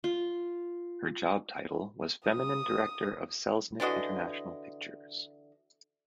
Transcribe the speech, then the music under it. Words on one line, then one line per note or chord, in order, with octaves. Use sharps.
Her job title was Feminine Director of Selznick International Pictures.
F4
D#6
D3 E3 F#4 D#5